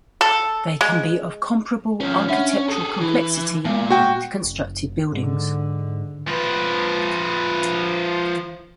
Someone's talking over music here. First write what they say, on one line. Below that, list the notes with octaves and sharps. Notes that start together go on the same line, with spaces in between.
They can be of comparable architectural complexity to constructed buildings.
A4
G#3
F3 C#4
C#4 D4 E5 F#5
G#4 A4
E3 E4
A#2 G#3 B3
F#4 G5
F#1
G#2 D3
F3 B4